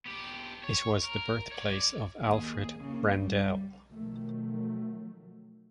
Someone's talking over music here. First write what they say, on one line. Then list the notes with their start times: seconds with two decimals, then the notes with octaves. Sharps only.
It was the birthplace of Alfred Brendel.
0.06 B3 G4
0.64 C#5
1.05 A#4
1.52 C#5 D5
2.21 D#2 G#4
2.79 C#3 A#3
3.13 G3
3.88 B2 D#3 F3 F#3 A3